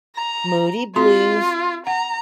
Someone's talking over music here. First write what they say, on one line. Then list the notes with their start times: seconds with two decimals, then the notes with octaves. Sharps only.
Moody Blues.
0.16 A#5
0.96 C4 F4 F#4 C6
1.87 F#5 A#5